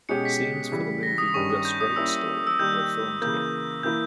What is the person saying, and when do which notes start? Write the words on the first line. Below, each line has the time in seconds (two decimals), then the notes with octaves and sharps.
Scenes for the movie "The Straight Story" were filmed here.
0.09 B2 G#3 C#4 G4 C#7
0.25 B6
0.71 C#3 E3 G3
1.03 A#6
1.18 D#6
1.34 G2 D#3 G3 C#4 G#4 C#6
1.50 D#6
1.65 G6
1.81 D#6
1.96 G3 A#3 C#4 E4 E6
2.47 E6
2.59 D#3 G3 A#3 G6
3.22 C#3 E3 A#3 G6
3.83 E3 A#3 E4 G6